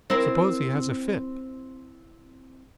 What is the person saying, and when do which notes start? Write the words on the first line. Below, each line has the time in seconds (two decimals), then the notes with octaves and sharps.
"Suppose he has a fit!"
0.10 C4 E4 A#4